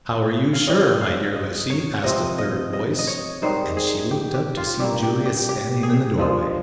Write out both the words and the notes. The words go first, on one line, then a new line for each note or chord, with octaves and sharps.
"How are you sure, my dear Lucy?" asked a third voice, and she looked up to see Julius standing in the doorway.
F5
C#3 G3 C#4 D#5
F5
D#5
C#5
C3 F3 C4 D#5
D#5
D#5
D#5
C#5
G#2 D#3 G3 C5
G#4
G4
G4
F4
G2 G3 A#3 G4
G4
G4
G4
G#4
G2 F3 G#3